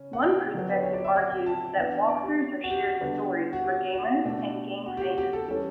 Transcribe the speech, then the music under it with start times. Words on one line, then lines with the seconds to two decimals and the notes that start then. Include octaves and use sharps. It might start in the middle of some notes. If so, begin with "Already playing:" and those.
One perspective argues that walkthroughs are shared stories for gamers and game fans.
Already playing: C#3 C#4
0.13 F#5
0.23 G5
0.54 D3 F#3 B3 D4
0.73 B4
0.83 C#5
0.94 D5
1.04 E5
1.16 F#5
1.31 G5
1.46 A5
1.77 E3 B3 D4 F#5
2.08 D5
2.23 G4
2.64 F#4
2.70 G4
2.85 F#4
3.01 D3 G3 B3 D4
3.53 F#4
3.63 G4
3.93 F#4
4.25 B2 A3 D4
4.86 F#4
4.97 G4
5.02 F#4
5.18 G4
5.33 A4
5.48 E3 G3 C#4 A4